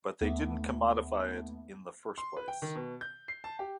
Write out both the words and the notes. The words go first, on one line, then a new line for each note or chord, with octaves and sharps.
But they didn't commodify it in the first place.
D#2 A3 B3
C6
B4
G5
D#3
B2
G6
C7
A5
G4